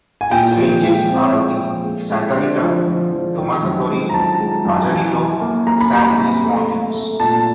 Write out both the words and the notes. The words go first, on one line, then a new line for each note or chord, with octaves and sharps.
These ranges are the Santa Rita, Tumacacori, Pajarito, and San Luis Mountains.
G#5
A#2 G5
F3
G#3
C4
G#3
F3
G#3
G#3
D3
F3
F3
F3
D#3
F#2
G#3
A#5
F#2 A5
G#3
F#2
E3
E3
A#3
A#3 A#5
B5
G3 A#5
C3
A3
A3
A3
A#2 A5